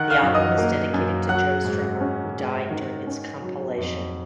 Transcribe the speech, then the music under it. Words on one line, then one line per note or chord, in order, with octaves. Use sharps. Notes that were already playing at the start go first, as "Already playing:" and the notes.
The album is dedicated to Joe Strummer, who died during its compilation.
Already playing: D#3 F#5 F#6
F5 F6
F#2
D#5 D#6
A#3
F#2
F#3 F#5 F#6
G#2
C#4
G#2
D#3
C#4
F#3
F2